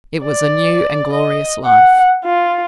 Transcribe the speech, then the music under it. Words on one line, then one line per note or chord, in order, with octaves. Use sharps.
It was a new and glorious life.
D5
D#5
F#5
F4